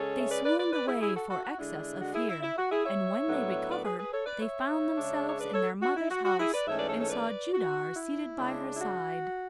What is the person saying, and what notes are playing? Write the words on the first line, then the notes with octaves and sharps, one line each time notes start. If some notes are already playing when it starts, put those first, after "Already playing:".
They swooned away for excess of fear, and when they recovered, they found themselves in their mother's house and saw Judar seated by her side.
Already playing: C#3 G#3 C#4 A4 C#5
E5
B4 D5
B4 D5
B4 D5
B4 D5
E4 G#4
E4 G#4
F#4 A4
F#4 A4
F#4
D3 G#3 D4 E4
F#4
E4 G#4
E4
E4
F#4
E4 G#4
C#5 E5
A2 F#3 B3 D4
B4 D5
G#4 B4
G#4 B4
A4 C#5
B4 D5
C#5 E5
C#3 G#3 D4
C#5
B4 D5
A4 C#5
F#4
E4
F#4
F#4
E4 G#4
B4 D5
G#2 E3 A3 C#4 C#5 E5
B4 D5
A4 C#5
A4 C#5
B4 D5
F#4
E4
C#3 G#3 D4
E4
F#4